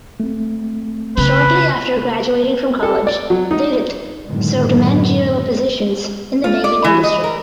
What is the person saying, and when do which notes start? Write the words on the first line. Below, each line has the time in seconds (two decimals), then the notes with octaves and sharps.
Shortly after graduating from college Dayrit served managerial positions in the banking industry.
0.20 A3 C4
1.18 C#3 B4
2.83 A4
3.07 D5
3.30 F#3
3.51 D#4
4.27 F#2 A2 D3 D#3 G#3 B3
6.44 F4
6.64 D5
6.84 E3
7.04 D#5
7.24 A#4